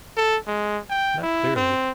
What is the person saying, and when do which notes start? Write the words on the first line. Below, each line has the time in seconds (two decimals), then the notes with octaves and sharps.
"Not clearly."
0.17 A4
0.47 G#3
0.90 G5
1.22 E4
1.56 C4